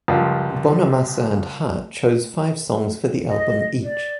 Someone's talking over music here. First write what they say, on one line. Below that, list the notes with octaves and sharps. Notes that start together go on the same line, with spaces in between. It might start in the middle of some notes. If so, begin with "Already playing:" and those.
Bonamassa and Hart chose five songs for the album each.
C#2 F#2 F3 G3
D#5
D5